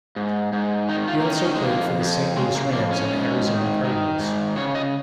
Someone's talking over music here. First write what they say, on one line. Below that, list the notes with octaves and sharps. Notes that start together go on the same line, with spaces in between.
He also played for the Saint Louis Rams and the Arizona Cardinals.
G#2
G#2
D#3 D#4
F4
A#3
D#3 C#4
D#4
C#4
G#3
F2 A#3
F2
C#3 G#3
A#3
F2 A#3
C#4
G#2
D#3
D#3
G#2
C#3 C#5
D#5